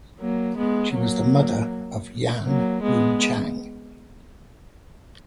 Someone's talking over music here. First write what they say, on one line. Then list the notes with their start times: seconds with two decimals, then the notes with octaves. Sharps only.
She was the mother of Yan Wucheng.
0.19 F#3 A#3
0.57 G#3 B3
0.94 F#3 A#3
2.45 F#3 A#3
2.82 G#3 B3